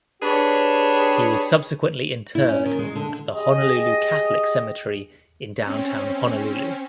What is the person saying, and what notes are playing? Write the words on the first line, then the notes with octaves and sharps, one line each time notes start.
He was subsequently interred at the Honolulu Catholic Cemetery in downtown Honolulu.
D4 G4 G#4 B4 C#5
E4
C#4
D#3
G#3
D3
G4 G#4 D#5
C4 C#4